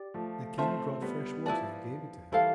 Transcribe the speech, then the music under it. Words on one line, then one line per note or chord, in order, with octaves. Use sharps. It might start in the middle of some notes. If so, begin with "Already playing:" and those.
The King brought fresh water and gave it to him.
Already playing: G4 D5
F3 A3
A3 C4 F4 C5 E5 A5
G3 B3
F3 E4 B4 D5 A5
E3 G3 E4 A4 C5 F5